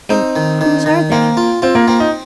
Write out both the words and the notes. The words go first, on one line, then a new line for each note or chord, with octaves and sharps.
"And whose are they?"
C4 D#4
D#3
D#3
D#3
A#3 C4
F4
C4 F4
A#3
A#3 C4
D#4